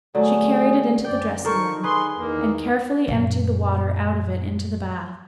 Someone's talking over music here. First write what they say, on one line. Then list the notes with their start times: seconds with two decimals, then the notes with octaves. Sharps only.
She carried it into the dressing-room, and carefully emptied the water out of it into the bath.
0.15 D3 F#3 A3 G#4
1.05 F#2 D5 G5
1.44 D#3 A4 A#4 C5 C#6
1.83 G#4 B4 C6
2.18 E2 D#3 A#3
3.07 F#2 A#2